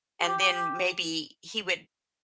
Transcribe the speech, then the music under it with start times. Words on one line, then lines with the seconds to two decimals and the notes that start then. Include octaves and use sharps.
and then maybe he would
0.22 G4